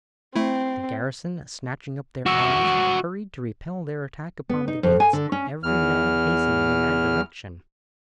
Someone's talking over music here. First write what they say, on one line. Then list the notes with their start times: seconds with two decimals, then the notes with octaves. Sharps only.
The garrison, snatching up their arms, hurried to repel their attack upon the gates, every man hastening in that direction.
0.36 A3 C4 E4
2.26 F#4 E5
4.49 B3
4.68 D#4
4.83 F2
5.00 G#5
5.13 D3
5.32 C#4
5.63 E2 F6